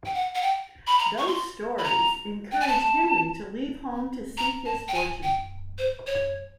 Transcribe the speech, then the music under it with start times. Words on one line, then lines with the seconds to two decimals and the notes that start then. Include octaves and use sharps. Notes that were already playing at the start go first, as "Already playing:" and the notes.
Those stories encourage Henry to leave home to seek his fortune.
0.05 G5
0.14 F#5
0.35 F#5
0.42 G5
0.87 B5
0.99 A#5
1.18 C#6
1.27 C6
1.78 B5
1.84 A#5
2.52 G5
2.60 G#5
2.68 A5
4.37 A#5
4.65 A5
4.88 G5
4.94 G#5
5.23 G5
5.78 C5
6.07 C#5